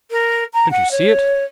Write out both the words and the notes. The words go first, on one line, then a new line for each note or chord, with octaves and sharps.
Don't you see it?
A#4
A#5
F#5
C#5